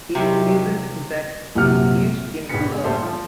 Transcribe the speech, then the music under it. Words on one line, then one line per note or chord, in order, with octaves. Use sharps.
It isn't that he is in love.
E2 C3 D#3 F#3 E4 G4
A#1 F#2 C3 F#5 F6
A#1 D#2 C#3 B3 B6 C#7
G#3
A#1 G3 A3 D4 C5 E5
F3 A3